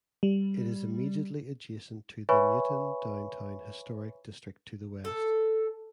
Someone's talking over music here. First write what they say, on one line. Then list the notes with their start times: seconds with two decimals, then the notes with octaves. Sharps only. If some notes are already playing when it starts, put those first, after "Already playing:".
It is immediately adjacent to the Newton Downtown Historic District to the west.
0.23 G3
2.29 B4 C#5 E5 G#5 B5 C#6
5.05 A4